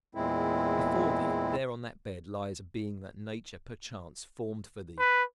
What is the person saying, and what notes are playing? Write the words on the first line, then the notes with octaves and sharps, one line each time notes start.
Before thee, there on that bed, lies a being that nature, perchance, formed for thee.
E2 A#2 G#3 C4 E4
B4